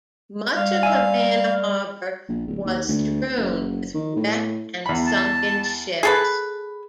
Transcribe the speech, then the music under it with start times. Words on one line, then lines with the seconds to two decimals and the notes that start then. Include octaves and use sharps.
Much of Havana harbor was strewn with wrecked and sunken ships.
0.56 G3 F5
0.83 E5 G#5
2.29 A#1
2.48 D1
2.65 D#2
2.88 D2
3.38 F#1
3.95 D#3
4.16 A2
4.86 E2 B5
5.07 A5
6.03 G#4 A4 B4